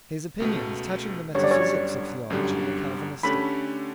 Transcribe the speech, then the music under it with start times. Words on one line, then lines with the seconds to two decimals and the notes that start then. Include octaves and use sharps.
His opinions touching the metaphysics of theology were Calvinistic.
0.40 C#2 B2 A3
1.34 G1 F#2 D3 G3 C#5
1.44 D5
1.51 C#5
2.30 G1 F#2 D3 G3
3.23 D3 A3 C#4 G4 B5